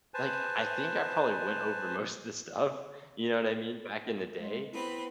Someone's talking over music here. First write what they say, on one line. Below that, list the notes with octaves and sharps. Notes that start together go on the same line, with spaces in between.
Like, I think I probably went over most of this stuff, you know what I mean, back in the day,
B4 C5 G#5 A5
G#3
B3 C4 E4 B4